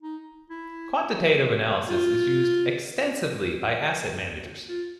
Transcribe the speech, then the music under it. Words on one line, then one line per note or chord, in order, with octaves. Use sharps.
Quantitative analysis is used extensively by asset managers.
D#4
E4
F4
F4